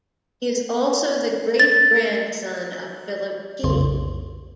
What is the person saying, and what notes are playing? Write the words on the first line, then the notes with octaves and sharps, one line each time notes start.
He is also the great-grandson of Philip Key.
A6
B1 F2 C#3 C6